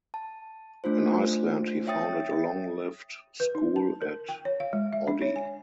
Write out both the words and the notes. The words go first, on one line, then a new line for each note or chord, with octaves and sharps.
In Iceland he founded a long-lived school at Oddi.
A5
A3 D4 F4 C5
C#5 E5 G5 D#6 A6
B4
D#4
A5
A#4
G5
C#5
F5
G#3
E5
D4
C#5
G#5